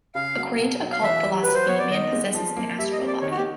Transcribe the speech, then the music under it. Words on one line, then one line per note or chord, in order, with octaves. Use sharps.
According to occult philosophy man possesses an astral body.
C#3 F5
F#3
B2
F#3
F5
E3 E5
G3
F#3 B4
C5
B3 C#5
D5
D#3 D#5
G#3
F3
A#3
G3 E5
D#5
C4
D5
D#3 C#5
F#4
G4